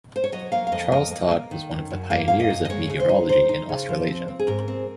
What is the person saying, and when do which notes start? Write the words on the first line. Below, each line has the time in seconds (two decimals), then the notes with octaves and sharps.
Charles Todd was one of the pioneers of meteorology in Australasia.
0.16 C5
0.24 C#5
0.32 F#3 D#5
0.52 A#3 F5
0.67 F5
0.72 F2 D#5
0.92 A#3 D#5
1.11 A#3
1.31 A#3
1.51 D#3
1.71 F#2
1.90 F#2
2.10 A#3 F5
2.28 F#2 F5
2.40 D#5
2.50 F#2
2.65 D#5
2.70 G#3 C#5
2.89 C#3
3.00 C5
3.09 D#4
3.29 D#4 C5
3.49 D#4
3.69 C#3
3.89 F3
4.08 C4
4.28 C4
4.39 G#4
4.48 G#2 A#4
4.68 C4